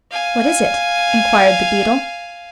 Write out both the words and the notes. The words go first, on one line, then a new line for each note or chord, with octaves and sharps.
'What is it?' inquired the beadle.
F5 G#5